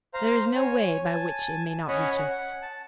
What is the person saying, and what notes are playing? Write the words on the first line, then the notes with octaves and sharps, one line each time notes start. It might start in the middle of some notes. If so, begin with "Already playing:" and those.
There is no way by which it may not reach us.
C5 F5 A#5
C#5 G#5
G#5 A5
C#4 C#5 D#5 F#5 G#5 B5
F#5
A5